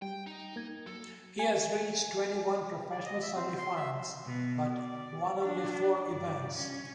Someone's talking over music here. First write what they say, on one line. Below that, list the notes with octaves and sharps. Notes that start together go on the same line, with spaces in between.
He has reached twenty-one professional semi-finals, but won only four events.
G3 G5
D#4
A#3 G#6
F#3 A4
G#5
D5
D#5
E5
C4
C6
E5
B2
D5
D4
G2 D5
C#4